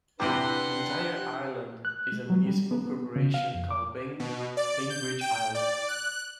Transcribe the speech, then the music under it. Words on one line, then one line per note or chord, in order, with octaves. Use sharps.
The entire Island is a municipal corporation called Bainbridge Island.
E2 C3 E3 D4 G4 B4 F#5 C6
F#6
G#3
F#3
G3
B3
B3
C#3
F5
F2
D6
B2
D5
G6
G5
D5
F#6